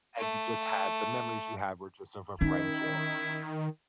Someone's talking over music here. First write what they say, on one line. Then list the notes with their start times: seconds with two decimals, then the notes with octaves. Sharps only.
and you just had the memories you have were just of a friendship.
0.18 A3
2.41 D#3 C#4 D#4 E4